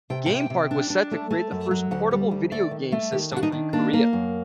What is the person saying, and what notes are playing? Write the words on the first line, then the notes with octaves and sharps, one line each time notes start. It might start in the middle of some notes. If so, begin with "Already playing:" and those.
Game Park was set to create the first portable video game system from Korea.
C3 G5
C3 G5
C3
D4
D4
A3
A3
F#2
F#3
D2 F#5
G3
D2
A3 D5
D#3
A3
D#3 G4
D4 F#4
D#4
D#3
A#3 D4
A#3
F#2